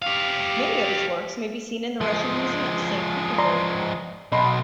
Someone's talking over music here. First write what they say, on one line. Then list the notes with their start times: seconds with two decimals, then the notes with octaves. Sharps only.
Many of his works may be seen in the Russian Museum, Saint Petersburg.
0.02 G4 F5
2.01 F3 G#3
3.38 D5 A#5 C6
4.32 B1 B2 D#5 B5 C6